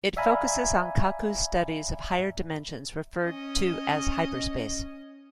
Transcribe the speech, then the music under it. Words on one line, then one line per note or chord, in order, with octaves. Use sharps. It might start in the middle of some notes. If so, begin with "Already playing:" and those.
It focuses on Kaku's studies of higher dimensions referred to as hyperspace.
D5 E5 F5 G#5 A#5 B5
C#4 D#5